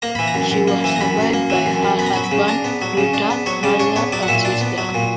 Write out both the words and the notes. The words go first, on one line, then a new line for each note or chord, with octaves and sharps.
She was survived by her husband, daughter, mother, and sister.
A#3 A#5
E3 B5
A#5
F#2
F#2
A#3
E3
A#5
F#2 B5
F#2
A#3
E3
F#2
F#2
B3 B5
A#5
F#3 B5
B5
C#3
D4 A#5
B3
F#3
C#3
D4
B3
F#3 C#5
C#3 D5
D4 C#5
B3 C#5
F#3 D5
F#5
A#2 E5
D4 D5
B3
F#3
A#2